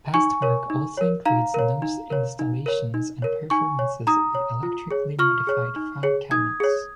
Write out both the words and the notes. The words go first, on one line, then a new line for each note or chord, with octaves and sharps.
Past work also includes noise installations and performances with electrically modified file cabinets.
D#4 G#5 C#6
A#4 C#5
D#4
A#4 C#5
D#4 F5 A#5
A#4 C#5
D#4
A#4 C#5
D#4
A#4 C#5
D#4
A#4 C#5
D#4 G#5 C#6
C#5
D#4 A#5 D#6
C#5
F4
G#4 C#5
F4 C#6 F6
G#4 C#5
D#4
G#4 C#5
D#4 D#6 G#6
G#4 C#5